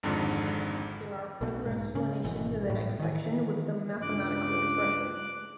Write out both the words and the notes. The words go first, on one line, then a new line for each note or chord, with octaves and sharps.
There are further explanations in the next section with some mathematical expressions.
G#1 F2 G#2 D3
B1 B2
G#2
C#3
G#1 B2 E3
A2
D#3 E3
C#2 G2 D6 F#6